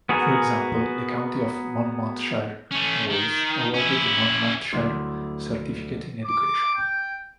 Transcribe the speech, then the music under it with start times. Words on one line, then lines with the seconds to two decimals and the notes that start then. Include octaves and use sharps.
For example, the county of Monmouthshire in Wales awarded the Monmouthshire Certificate in Education.
0.09 B3 F#4 G#4 A#4
2.71 A3 C#4
3.10 D#3
3.74 C#4 E4
4.72 D2 F#3 E4 C6
6.24 D6
6.73 G5